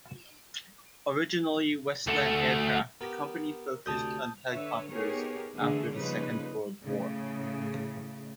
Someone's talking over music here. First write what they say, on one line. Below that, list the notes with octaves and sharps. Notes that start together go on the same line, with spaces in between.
Originally Westland Aircraft, the company focused on helicopters after the Second World War.
D2 A3
B3 G4 A#4
D2 C3 A5 D#6 G6
D3 B4 C#5 E5
B3 D#4 G4 G#4 A#4 C#5
D3 E3 A3 A#3 D4 G#4
C#3 F3 G3 A#3 D#4 B4
A2 C#3